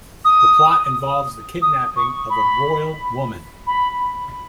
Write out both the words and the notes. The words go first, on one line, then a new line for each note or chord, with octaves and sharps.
The plot involves the kidnapping of a royal woman.
D#6
D#6
C#6
B5
B5